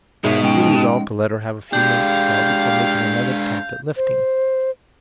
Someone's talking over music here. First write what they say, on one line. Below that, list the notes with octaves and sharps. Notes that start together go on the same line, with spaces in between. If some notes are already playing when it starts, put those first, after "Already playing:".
We resolved to let her have a few minutes' spell before making another attempt at lifting.
G#2 B2 G#4 A#4 C#5 E5
G#3 C#4 D#4 G5
G#3 D4 G4 F5 G6
C5